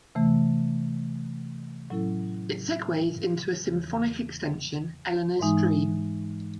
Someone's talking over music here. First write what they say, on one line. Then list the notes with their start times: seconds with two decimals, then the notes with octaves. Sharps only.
It segues into a symphonic extension, Eleanor's Dream.
0.15 C3 E3 A3
1.90 A2 F#3 C#4 E4 A4
3.66 E2 C#3 E3
5.39 G#2 E3 G#3 D#4